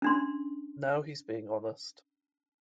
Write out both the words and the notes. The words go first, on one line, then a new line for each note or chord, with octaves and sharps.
Now he's being honest.
C#4 D4 C6